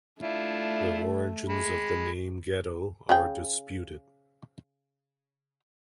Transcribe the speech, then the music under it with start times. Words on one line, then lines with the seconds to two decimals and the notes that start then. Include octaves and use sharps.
The origins of the name "ghetto" are disputed.
0.22 A3 D4 E4 F4
1.49 G#3 B5
3.09 C#3 G#4 G5